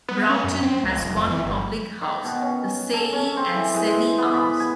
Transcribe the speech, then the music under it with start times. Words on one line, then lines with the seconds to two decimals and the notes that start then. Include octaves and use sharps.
Broughton has one public house, the Saye and Sele Arms.
0.09 B3
0.29 C#4
0.44 F#2
0.63 C4
0.84 C#2
0.99 F1
1.16 F2
1.31 E3
1.44 G1
2.01 D#3
2.24 B2
2.42 C#4
2.94 A4
3.13 C#4
3.37 C4
3.53 E3
3.74 G#3
4.18 B3
4.34 B5
4.60 G#5